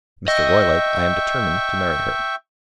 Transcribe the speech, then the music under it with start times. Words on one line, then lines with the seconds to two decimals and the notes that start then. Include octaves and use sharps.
Mr. Roylake, I am determined to marry her.
0.28 D#5 E5 G5 C#6